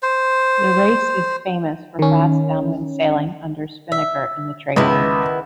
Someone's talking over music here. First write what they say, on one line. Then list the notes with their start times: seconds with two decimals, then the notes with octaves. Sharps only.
The race is famous for fast downwind sailing under spinnaker in the trade winds.
0.02 C5
1.99 D#3 C#4
3.92 E5
4.76 C#2 D#3 B3 E4